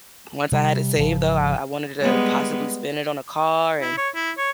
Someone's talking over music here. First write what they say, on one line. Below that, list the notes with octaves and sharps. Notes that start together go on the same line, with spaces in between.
once I had it saved though, I I wanted to possibly spend it on a car and,
C3 G3
G#1 C#3 F3
G3 G#3 B3
E4
C#5
E4
C#5